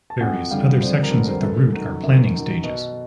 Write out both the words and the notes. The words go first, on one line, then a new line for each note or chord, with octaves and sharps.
Various other sections of the route are planning stages.
A5
F2 F#5 G#5
D3 G3 F5 G5
F2 C5 D5
A#4
D3 G3 A4 B4
A#4 C5
F#2 A4 B4
D#3 F#3
F#2
D#3 F#3
B2